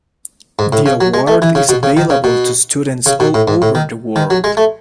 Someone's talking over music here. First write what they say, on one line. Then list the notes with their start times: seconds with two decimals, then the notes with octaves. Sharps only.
The award is available to students all over the world.
0.59 G#2
0.72 A2
0.86 C#3
1.01 F#3
1.14 G#3
1.27 A3
1.42 E3
1.55 C#3
1.69 B2
1.83 C#3
1.97 D#3
2.10 C#3
2.24 B2
3.06 C#3
3.20 B2
3.34 A2
3.48 G#2
3.62 A2
3.75 D#3
4.16 D#3
4.30 F#3
4.44 G#3
4.57 A3